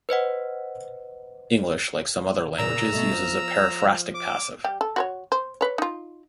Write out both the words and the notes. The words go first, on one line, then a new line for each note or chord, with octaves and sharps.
English, like some other languages, uses a periphrastic passive.
B4 C5 D#5 F#5
A#2 C#3 F#3 A#5 E6
B2 A3
F3
D6
G3 G4
A4
F#4 C5 C#5
C5
B4 C#5
D#4 F4